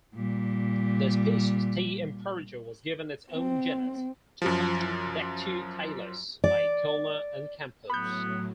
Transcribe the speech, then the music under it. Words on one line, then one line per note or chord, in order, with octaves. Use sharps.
The species "T. imperator" was given its own genus, "Tupandactylus", by Kellner and Campos.
A#2 G3
C4
F#2 F3
D5
A2 F#3 B3 B5 G6